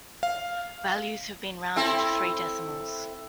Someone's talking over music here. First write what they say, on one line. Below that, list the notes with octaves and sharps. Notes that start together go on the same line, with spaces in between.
Values have been rounded to three decimals.
F5
C4 E4 A4